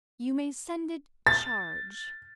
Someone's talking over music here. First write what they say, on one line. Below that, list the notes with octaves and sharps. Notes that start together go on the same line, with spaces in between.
"You may send it, charge."
A6